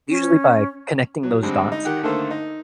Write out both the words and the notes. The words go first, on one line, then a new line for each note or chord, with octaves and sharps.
usually by connecting those dots,
C#4
F#3
D3 G3 G#3 C4
D#4
D#3 G4 F#5
D3 D#3 A3 A#3 A4 C5
D#4